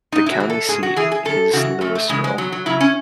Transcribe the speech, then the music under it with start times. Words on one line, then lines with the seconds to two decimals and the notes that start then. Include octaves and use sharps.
The county seat is Lewisville.
0.12 G#2 D#4
0.26 E4
0.31 F#4
0.40 E3
0.50 A4
0.68 G#2 G#4
0.83 F#4
0.96 E3 G#4
1.12 G#4
1.25 F#2 A4
1.53 C#3 E3 F#4
1.81 F#2 A3
1.95 A3
2.09 C#3 E3 G#3
2.24 G#3
2.38 E2 F#3
2.52 F#3
2.66 C#3 F#3 E4
2.80 C#4